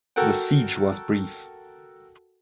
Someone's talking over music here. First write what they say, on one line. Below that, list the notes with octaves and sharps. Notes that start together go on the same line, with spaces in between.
The siege was brief.
F#4 A4 A#4 F#5 G5